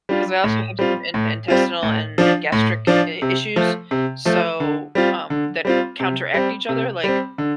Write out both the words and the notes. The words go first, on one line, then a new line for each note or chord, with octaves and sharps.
'cause I also have some in intestinal and and gastric i issues, so, um, that counteract each other like,
G3 D4 F4
A2
G3 C4 F4
A2
G3 C4 F4
A2
F3 D4 F4
A2
F3 D4 F4
C3
F3 A3
C3
F3 A3
D3
G3 C4 F4
D3
G3 C4 F4
C3
G3 C4
C3
G3 C4
D3